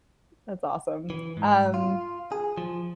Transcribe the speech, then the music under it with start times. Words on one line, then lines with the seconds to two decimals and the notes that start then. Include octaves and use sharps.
that's awesome, um,
1.10 E3
1.37 G#2
1.74 F4
2.32 G#4
2.58 F3